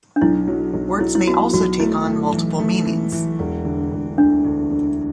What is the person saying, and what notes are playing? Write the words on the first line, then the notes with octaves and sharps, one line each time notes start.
Words may also take on multiple meanings.
D4
B1 E4
F#3
B1
F#3 E4
E4
B3 F#4
B1 F#4
A3 E4
A3
E3
A3
E3
E3
E1
D3
E1
D2 D4
D2
D3